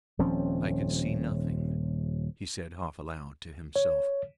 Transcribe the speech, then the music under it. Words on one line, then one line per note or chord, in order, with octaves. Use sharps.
"I can see nothing," he said half aloud to himself.
D#1 F3 C4 C#4
C#5